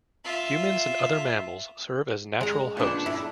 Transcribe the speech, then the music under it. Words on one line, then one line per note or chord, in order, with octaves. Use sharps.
Humans and other mammals serve as natural hosts.
F4 E5
G#3 A#5
A#2 B3 D4
A3 E4